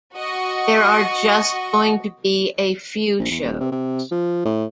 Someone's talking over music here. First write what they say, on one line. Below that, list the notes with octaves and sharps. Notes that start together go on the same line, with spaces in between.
There are just going to be a few shows.
F#4 D#5 C#6
A#1
E2
D#1
C3
C3
F3
A2